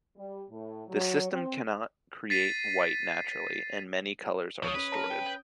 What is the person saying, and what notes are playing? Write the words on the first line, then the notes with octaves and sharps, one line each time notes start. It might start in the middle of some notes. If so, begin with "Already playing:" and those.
The system cannot create white naturally, and many colors are distorted.
G3
A2
F#3
C4
A6 B6 C7 D#7
F3 C#5 C#6 D#6
C#4 B4
A#4 A5
G5